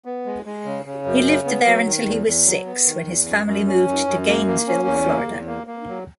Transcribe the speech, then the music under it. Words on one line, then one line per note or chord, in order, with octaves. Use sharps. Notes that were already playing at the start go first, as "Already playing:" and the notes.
He lived there until he was six, when his family moved to Gainesville, Florida.
B3
G#3
G#3
C#3
C#3
F#2
C#3
B3
F#3
D#3
E2
E2
F#3
B3
D#3
E2
F#2
F#2
C#4
F#2
F#2
A#3
A#3
C#4
E2
A#3
E2
A#3
A#3
F#3